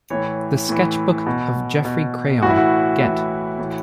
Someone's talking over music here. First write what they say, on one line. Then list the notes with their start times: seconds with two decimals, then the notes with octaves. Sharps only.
The Sketch Book of Geoffrey Crayon, Gent.
0.10 A2 E3 C#5
0.69 A2 E3
1.26 B2
1.85 B2
2.42 A2 E3 F#4
2.50 E4
2.57 F#4
3.01 A2 E3
3.59 A2 E3